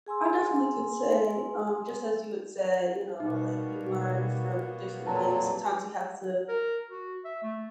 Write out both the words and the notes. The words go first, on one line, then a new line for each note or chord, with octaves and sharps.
I definitely can say, um, just as you would say, you know, like, you learn from different things. Sometimes you have to,
G#4 G#5 C6 E6
B2 G3 A#3 B3 D#4 F#4
F2 A#2 F#3 B4 A5 A#5
A#4
F#4
E5
A3